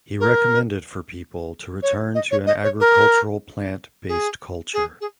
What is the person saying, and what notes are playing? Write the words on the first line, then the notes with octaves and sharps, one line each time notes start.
He recommended for people to return to an agricultural plant based culture.
A#4
C#5
D#5
C#5
D#5
C#5
A#4
G#4
G#4
G#4